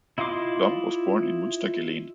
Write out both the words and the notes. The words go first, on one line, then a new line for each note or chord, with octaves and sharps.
Blom was born in Munstergeleen.
E4 F4 D#5 C6 D6